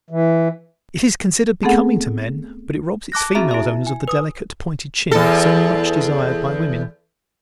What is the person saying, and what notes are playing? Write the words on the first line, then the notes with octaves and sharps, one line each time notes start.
It is considered becoming to men but robs its female owners of the delicate, pointed chin so much desired by women.
E3
A3 B3 C4 G#4 A4 F#5
A5 D6 F#6 A#6
C4 F#4 G#4 E5 A#5
E4 E5
G#5
B4 D#6
E2 A4